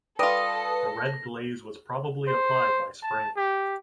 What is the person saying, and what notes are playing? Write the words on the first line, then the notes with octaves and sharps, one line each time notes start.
The red glaze was probably applied by spraying.
G3 F4 A4 B4 D#6 A#6
C5
A5
G4